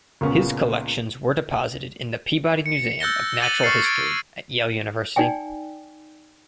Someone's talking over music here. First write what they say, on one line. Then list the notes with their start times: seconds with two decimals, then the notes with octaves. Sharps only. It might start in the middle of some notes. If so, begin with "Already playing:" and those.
His collections were deposited in the Peabody Museum of Natural History at Yale University.
0.21 C#2 A#2 C#3 A#3 B3 C#4
2.66 C#7
3.00 E6 F#6 G6 A6 A#6 G7
3.40 D6 A6 D#7 F#7
3.63 C#6 F6 A6 C7 C#7
3.84 C#6 G#6 A6 D7
5.16 D#4 D5 G5 G#5